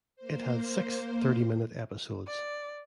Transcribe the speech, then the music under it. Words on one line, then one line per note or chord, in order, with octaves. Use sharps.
It had six thirty-minute episodes.
A#3 C5
D5